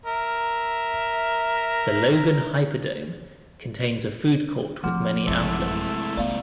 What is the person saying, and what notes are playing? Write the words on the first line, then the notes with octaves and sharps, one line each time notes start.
The Logan Hyperdome contains a food court with many outlets.
A#4 E5
F3 A3 C4 F#5 D6
A1 F#2 C3 G#3 A3 E4
A#3 C4 D5 F5